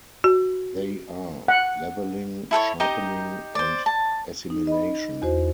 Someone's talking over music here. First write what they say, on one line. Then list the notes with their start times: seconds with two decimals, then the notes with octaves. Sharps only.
They are: "leveling", "sharpening", and "assimilation".
0.24 F#4
1.48 F#5
2.51 E4 A4 B4 C#5
2.80 D#4 G4 D#5 A#5
3.55 C5 D5
3.86 A5
4.50 D#4
4.67 D#5 B5
5.22 E2 F#4 C5